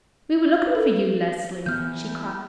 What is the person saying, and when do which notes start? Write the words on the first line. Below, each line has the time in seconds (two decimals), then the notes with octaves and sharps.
"We were looking for you, Leslie," she cried.
0.75 A4 B4
1.66 E3 B3 F6 G6